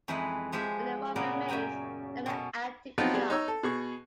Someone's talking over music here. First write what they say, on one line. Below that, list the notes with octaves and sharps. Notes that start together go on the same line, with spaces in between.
Only one remains, now an antique shop.
F2 E3 G#3 D#4 E4 B4
F3 G#3 G4 G#4 E5
A#2 C#3 B3 A#4 D5
F#2 E5 G5 G#5 A#5
B2 C#4 A4
F3 F#3 B3 C4 D#4 F4
G3 B3 G#4
D#4 C#5 E6
A4
B2 G#4 C#6